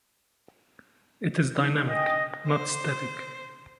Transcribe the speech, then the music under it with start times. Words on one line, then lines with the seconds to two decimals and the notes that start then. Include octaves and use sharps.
It is dynamic, not static.
1.57 D4 D#4
1.90 D#5 G5 G#5 D#6
2.48 C5